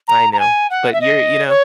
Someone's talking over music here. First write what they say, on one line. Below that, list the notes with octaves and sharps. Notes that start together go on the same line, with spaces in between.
I know. But you're you know?
A#5
A#5
G#5
F#5
E5
D#5
C#5